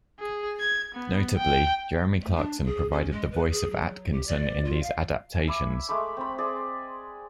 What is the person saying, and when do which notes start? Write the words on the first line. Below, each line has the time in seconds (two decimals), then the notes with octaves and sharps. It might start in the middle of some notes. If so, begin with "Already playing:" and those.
Notably, Jeremy Clarkson provided the voice of Atkinson in these adaptations.
0.20 G#4
0.60 G#6
0.95 B3
1.38 G5
2.22 A3
2.36 D4
2.65 G#4
2.92 C#4
3.12 G#3
3.32 B4
3.51 G#4
3.70 F#3
4.12 G4
4.27 D5
4.65 F4
4.83 F5
5.35 G#5
5.48 E5 B5 D6
5.89 G#3 A3 B5 D6
6.17 C4 B5
6.38 G#4 D5